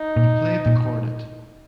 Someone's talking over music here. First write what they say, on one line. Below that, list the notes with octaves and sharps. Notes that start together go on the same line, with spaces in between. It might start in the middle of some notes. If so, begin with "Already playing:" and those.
He played the cornet.
Already playing: D#4
A#2
A#2